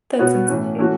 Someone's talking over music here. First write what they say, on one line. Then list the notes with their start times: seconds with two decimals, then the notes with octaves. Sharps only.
That's insane.
0.19 B2 B3 F#4 C#5
0.49 A2 E3 C#4
0.79 E3 A3 C#4 F#4